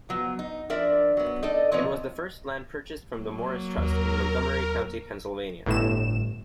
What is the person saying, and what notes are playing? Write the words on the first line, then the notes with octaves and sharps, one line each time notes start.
It was the first land purchased from the Morris Trust in Montgomery County, Pennsylvania.
F3 F#3 B3
D#4
F3 D4 A#4 D5 E5
F#3 B3
D#4 A4 D5 D#5
B2 F3 C4 B4 C#5 D#5
F#3 A#3
D#2 A#4
G1 A2 E7